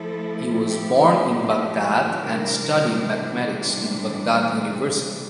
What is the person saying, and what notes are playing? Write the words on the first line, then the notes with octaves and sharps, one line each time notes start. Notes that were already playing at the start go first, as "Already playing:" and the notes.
He was born in Baghdad and studied mathematics in Baghdad University.
Already playing: F3 A3 E4 A4
G4
C3 E3 G3 D4 A#4